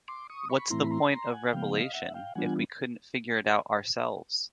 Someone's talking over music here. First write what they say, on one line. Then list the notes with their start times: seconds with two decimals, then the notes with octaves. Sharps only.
What's the point of revelation if we could figure it out ourselves?
0.08 C6 D6
0.30 C#6 D#6
0.49 B5 C#6
0.70 A2 E3 A3 C4 E4 A#5 C6
0.83 B5
0.91 A#5 C6
1.11 A#5 C6
1.33 F#5 G#5
1.53 C#3 F3 G#3 B3 F5 G5
1.73 D#5 F5
1.94 E5 F#5
2.14 F5 G5
2.35 E3 G3 B3 D4 F4 F#5 G#5